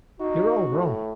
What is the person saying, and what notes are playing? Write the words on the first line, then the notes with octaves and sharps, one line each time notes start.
You're all wrong!
D#4 F#4
A2